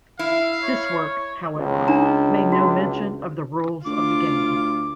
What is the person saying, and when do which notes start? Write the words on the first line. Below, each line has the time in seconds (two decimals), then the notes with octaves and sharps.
This work, however, made no mention of the rules of the game.
0.19 E4 F5
0.63 C#5
1.56 C#2
1.88 D4 A#5
2.52 F#4
3.86 D2 F4 D6